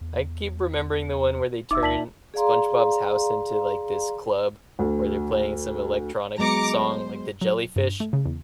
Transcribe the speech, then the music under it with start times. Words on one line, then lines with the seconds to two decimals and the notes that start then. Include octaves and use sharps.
I keep remembering the one where they turned SpongeBob's house into, like, this club, where they're playing some electronic song, like, the jellyfish
0.01 E2
1.71 F1 D#4 E5 D6 E6
1.83 C#2 D5 A5 B6 F#7
2.34 G#4 D5 F5 A#5 C6
4.79 D2
6.39 F#3 G#3 B3 A#5 D6 C#7
6.74 C5
7.41 F#3
7.76 G2
8.00 A3
8.13 C#3
8.26 E2